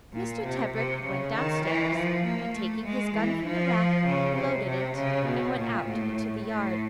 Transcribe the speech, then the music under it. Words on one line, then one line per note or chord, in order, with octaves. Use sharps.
Mr. Tebrick went downstairs, and taking his gun from the rack loaded it and went out into the yard.
A#2
C3
C3
C#3
D#3
E3
F3
A#3
A3
G#3
E3
F3
C#3
C3
C3
C#3
B2
A#2
A2
A2